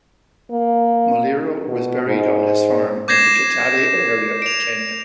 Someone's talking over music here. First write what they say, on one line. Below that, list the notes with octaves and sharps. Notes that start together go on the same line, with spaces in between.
Muliro was buried on his farm in the Kitale area of Kenya.
A#3
B2
G#2
D6 G6 G#6 A#6 C7 E7
D7 F7